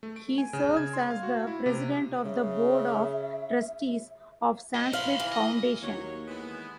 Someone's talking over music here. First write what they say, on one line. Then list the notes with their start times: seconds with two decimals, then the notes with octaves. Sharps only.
He serves as the President of the Board of Trustees of Sanskriti Foundation.
0.03 A3
0.16 D7
0.38 G#5
0.53 C#3
0.77 G#6
0.93 C6
1.10 F5
1.23 F#4
1.47 E4
1.66 C3
2.25 C#3 E5
4.74 F#2 D#5
4.93 F5 B5 C6
5.20 E3
5.32 D#5
5.82 D#2 F#3 C#5
6.28 E3 G#3 B3